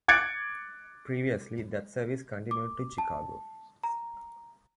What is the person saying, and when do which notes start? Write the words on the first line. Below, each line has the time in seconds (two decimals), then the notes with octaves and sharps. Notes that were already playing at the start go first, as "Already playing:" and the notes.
Previously, that service continued to Chicago.
0.08 D6 F#6 G#6 A6 C#7 D7
2.51 D6
2.98 A5
3.84 A#5